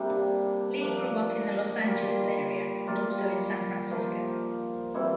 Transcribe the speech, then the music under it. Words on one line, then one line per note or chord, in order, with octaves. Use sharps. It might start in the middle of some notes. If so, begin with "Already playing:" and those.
Lee grew up in the Los Angeles area, and also in San Francisco.
Already playing: C3 G3 A#3 D4
F3 A#3 D4
G3 A#3 F4
G3 A#3 F4
F3 A#3 F4
E3 G3 C4 E4